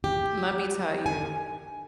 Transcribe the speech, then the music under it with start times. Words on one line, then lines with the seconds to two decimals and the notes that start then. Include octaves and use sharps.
Let me tell you,
0.04 G4
1.06 G#5